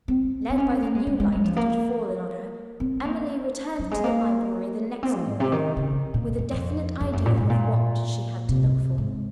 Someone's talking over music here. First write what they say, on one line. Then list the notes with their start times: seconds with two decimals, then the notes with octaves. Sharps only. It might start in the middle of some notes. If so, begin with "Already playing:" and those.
Led by the new light that had fallen on her, Emily returned to the library the next morning with a definite idea of what she had to look for.
0.08 C4
0.50 C4
0.58 C#4
0.70 C4
0.82 A#3
0.95 G#3
1.07 G#3
1.20 G#3
1.32 F#3
1.44 F3
1.57 A#3
2.80 C4
3.05 A#3
3.79 F#3
3.91 G#3
4.04 A#3
5.03 C4
5.15 F3
5.27 G#2
5.40 C3
5.52 D#3
5.77 C#3
6.14 A#2
6.38 F#2
6.51 F2
7.00 F2
7.13 F#2
7.26 A#2
7.37 G#2
7.50 A#2
8.49 C3
8.98 G#2